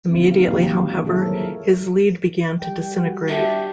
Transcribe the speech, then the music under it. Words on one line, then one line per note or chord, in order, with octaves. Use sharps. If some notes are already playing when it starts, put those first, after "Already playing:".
Immediately, however, his lead began to disintegrate.
D3 F#3 G3 A#3 C4 E4
G#3 C4 D#4 E4 G4 F5
D#3 E3 F#3 A#3 F#4 G4
G#3 A#3 D4
F3 F#3 E4 G#4 A4 E5
G3 G#3 A#4 C#5
G3 G5
F#4
D4 G4 E5